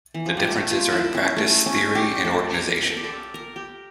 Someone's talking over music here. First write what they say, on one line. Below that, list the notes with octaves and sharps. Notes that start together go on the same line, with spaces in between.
The differences are in practice, theory and organisation.
E3
F3
G3
A3
F4
E4
C#4
A3
C#4
G4
A4
A#4
A#4
A4
G4
A4
A#4
G4